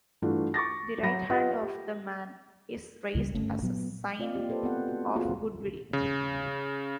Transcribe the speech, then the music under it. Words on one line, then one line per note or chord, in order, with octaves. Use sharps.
The right hand of the man is raised as a sign of good will.
G2 E3 A3 D4 F4 F#4
C#6 D6 A6 A#6
F#3 B5 A#6
F4 G4 B4 D#5 F#5
G4
C#2 C#3 G3
G1 A3 C#4
A#2 F#3 B3
C4 F4 D5 D#5 F5
A#3 F4 G4
F4 A4 B4 C5
A3 B3 C4 F#5
F#4
A#3 C4 F4 F#4 G#4
C#3